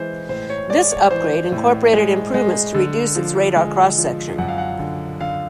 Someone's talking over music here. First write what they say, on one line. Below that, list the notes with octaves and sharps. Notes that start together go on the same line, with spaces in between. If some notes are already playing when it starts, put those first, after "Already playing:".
This upgrade incorporated improvements to reduce its radar cross-section.
Already playing: E3 G#3 C5
A2 C5
C#5
G#3 D5
C#5
E3 C5
A2
G#3
G#3
D3
F3
G#3
F3
F#2 F#5
F5
F#5
D3
D3 F5